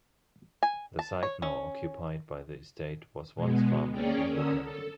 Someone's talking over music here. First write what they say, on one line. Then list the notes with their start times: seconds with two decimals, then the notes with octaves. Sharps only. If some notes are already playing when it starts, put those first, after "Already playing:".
The site now occupied by the estate was once farmland and woodland.
0.63 G#5
0.99 A5
1.23 C#5
1.42 C#4
3.35 B2 G#3 B3
3.91 A#3 C#4 G#4 C#5 D5 G5
4.28 D3 C#4 A#4 D#6 E6
4.62 A4